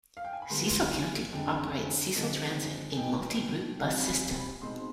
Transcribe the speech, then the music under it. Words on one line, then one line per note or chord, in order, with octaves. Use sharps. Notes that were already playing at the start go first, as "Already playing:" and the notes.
Cecil County operates Cecil Transit, a multi-route bus system.
F5
G5
G#5
B5
D3 G3 B3 C6
G#5
F2 D3 G#3 D4 G5
G#5
D3 F3 G#3 C4
G#5
B2 B3 D#4 G5
C3 G3 C4 D#4 F5
B5
G#5
B5
B2 G#3 C4 D#4 C6